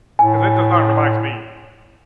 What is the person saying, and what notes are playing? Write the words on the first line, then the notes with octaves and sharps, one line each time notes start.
'Cause it does not relax me.
A2 G#5